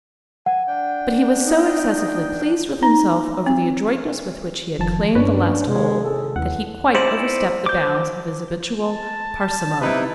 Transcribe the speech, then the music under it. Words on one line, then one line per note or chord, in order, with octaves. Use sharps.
But he was so excessively pleased with himself over the adroitness with which he had claimed the last hole, that he quite overstepped the bounds of his habitual parsimony.
F#5 G#5
D4 G5
D#4
D#4
C4
F1 D#3 F3 A5
G2 C#4 D4 B4 C#5
C3 G#3
G#1 G#4 A4
D#2 E3 F#5
D#4 E4 C5 D5
D6 G6
A5
C3 D#4 E4 B4